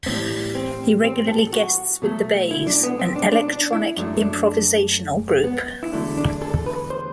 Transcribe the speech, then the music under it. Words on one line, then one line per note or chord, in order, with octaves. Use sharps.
He regularly guests with The Bays, an electronic improvisational group.
A2 E3 G3 C4
C4
C4
A4
F#4
B2 F#3 A3
E4
D4
B3
C4
D4
D4
D4
E4
F#2 F#3 A3 D4
D4
B3
E4
E2 D3 F#3 A3 D4
D4
A4
B4
C5